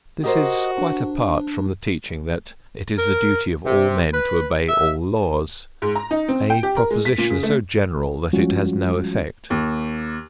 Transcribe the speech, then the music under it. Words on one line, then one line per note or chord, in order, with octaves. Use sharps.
This is quite apart from the teaching that it is the duty of all men to obey all laws, a proposition so general that it has no effect.
F#4 G4 A#4 C5 D#5 D#6
D4
A#4
C3
B4
E5
G#2
A#5
D#4
C4
G5
G4
A#4
G#3
B6
A#2
C#3
A3
F3 G3 G#3 C#4 F4 F#4
D#2